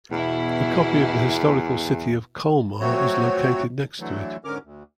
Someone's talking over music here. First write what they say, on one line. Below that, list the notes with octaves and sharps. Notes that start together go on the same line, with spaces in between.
A copy of the historical city of Colmar is located next to it.
E2 B2 E4
F3 F#3 A3 C4 F#4 C#5
D3 E3 F#3 A3
G#2 D3 C#4 A#4 D6 F6
D2